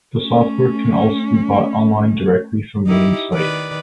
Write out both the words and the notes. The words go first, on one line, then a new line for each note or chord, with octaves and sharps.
The software can also be bought online directly from the main site.
A3 C#4
D#4 E4 G4
D#3 B4 D5